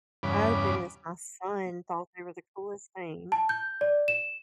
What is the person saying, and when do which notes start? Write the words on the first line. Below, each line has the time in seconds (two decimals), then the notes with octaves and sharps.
Oh, goodness, my son thought they were the coolest things.
0.23 E2 G2 C#3 B5 D6
3.32 A5
3.49 G6
3.81 D5
4.08 E7